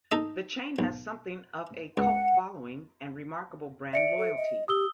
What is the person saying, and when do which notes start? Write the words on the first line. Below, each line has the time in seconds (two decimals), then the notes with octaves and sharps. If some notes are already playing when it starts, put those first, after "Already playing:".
The chain has something of a cult following and remarkable brand loyalty.
0.12 D#4 A4 D#5
0.79 B1
1.97 C#2 F#5
3.93 D5 E5 C#7 D7
4.18 A4
4.37 D#5
4.68 G4 D#6 E6 G7